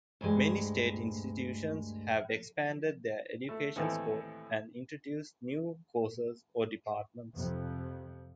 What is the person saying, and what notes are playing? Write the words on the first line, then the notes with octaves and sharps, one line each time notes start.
Many state institutions have expanded their education scope and introduced new courses or departments.
D2 G2 G#3
A3
D#2 A2 E3 A3 C4
F2 C3 F3